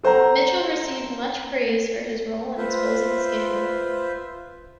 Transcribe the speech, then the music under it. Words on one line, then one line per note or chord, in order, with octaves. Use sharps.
Mitchell received much praise for his role in exposing the scandal.
A4 C5 F#5 A#5
F4 B4 C5 E5